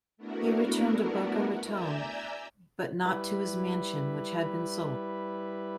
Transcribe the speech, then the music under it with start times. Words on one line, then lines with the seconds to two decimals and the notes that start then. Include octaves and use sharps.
He returned to Boca Raton, but not to his mansion, which had been sold.
0.17 A3 B3 D4 E4 F#4 A#4
1.65 D5 E5 G#5 A#5 E6 G6
3.05 G3 E4 B4